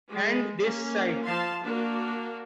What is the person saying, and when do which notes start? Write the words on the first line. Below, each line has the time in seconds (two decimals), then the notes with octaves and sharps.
And this site.
0.11 G#3
0.59 A#3 C#4
1.23 F3 F5 A5 C6
1.63 A#3 D4 F#4